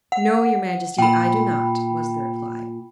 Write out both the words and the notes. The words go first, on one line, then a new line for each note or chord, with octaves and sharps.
"No, your Majesty; I do not," was the reply.
F#5
A#2 G5 B5